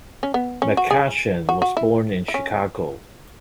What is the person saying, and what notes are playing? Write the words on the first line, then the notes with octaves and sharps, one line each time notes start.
McCashin was born in Chicago.
C#4
B3
C#4
F#4
G#4
F#4
F#4
E4
E4
C#4